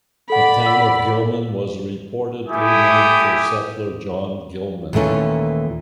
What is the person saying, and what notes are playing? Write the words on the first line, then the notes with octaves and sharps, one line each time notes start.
The town of Gilman was reportedly named for settler John Gilman.
A4 D5 F#5 B5
F#5 E6 F#7
A3 E4 G4 G#5 D#6
D#2 A#2 E3 A3 C#4